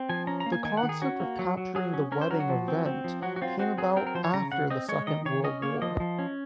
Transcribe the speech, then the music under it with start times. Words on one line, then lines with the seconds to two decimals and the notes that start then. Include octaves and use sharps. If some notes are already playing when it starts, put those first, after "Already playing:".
The concept of capturing the wedding "event" came about after the Second World War.
Already playing: C4
0.09 F3 G#5
0.27 C#4 A#5
0.40 A#5
0.46 A#3
0.52 G#5
0.64 D#3 G#5
0.77 F#5
0.83 D#3
0.89 G#4
1.02 C#4 F#4
1.20 A#3
1.39 F#3
1.57 F#3
1.75 F#3 G#4
1.94 C#4
2.12 C#4 A#4
2.21 C5
2.30 F#3 A#4
2.40 F#4
2.49 F3
2.68 C4
2.86 C4
3.04 F3
3.22 F#3 F#4
3.36 F#4
3.42 C4 F4
3.59 C4 F#4
3.78 F#3 G#4
3.96 C4 A#4
4.07 A#4
4.15 F3 C5
4.24 C#5
4.34 C#3 A#5
4.52 C#3 F#5
4.70 C4 D#5
4.89 G#3 C#5
5.07 D#3 D#5
5.25 D#3 C#5
5.44 C#4 D#5
5.62 A#3 C#5
5.82 F3 D#5
6.00 F3
6.19 C#4